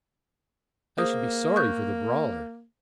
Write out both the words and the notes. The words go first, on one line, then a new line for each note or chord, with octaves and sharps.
"I should be sorry for the brawler."
A#3 G#4 C5 D#6
C#6 F#6 G6